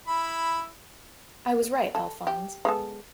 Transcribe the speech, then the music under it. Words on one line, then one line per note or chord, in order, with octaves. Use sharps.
I was right, Alphonse.
E4 B5
A4
G4
G#3 B3 A4